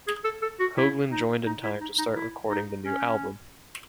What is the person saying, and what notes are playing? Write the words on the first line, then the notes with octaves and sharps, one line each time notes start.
Hoglan joined in time to start recording the new album.
G#4
A4
A4
F#4
E4
D#4
D#4
E4
D#4
D#4
E4
D#4
C#4